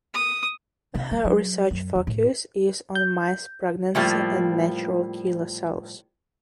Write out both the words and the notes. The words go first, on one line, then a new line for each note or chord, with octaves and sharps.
Her research focus is on mice pregnancy and natural killer cells.
D#6
C3
G3
F#3
F#2
E2
A2
G6
A2 F3 G3 A#3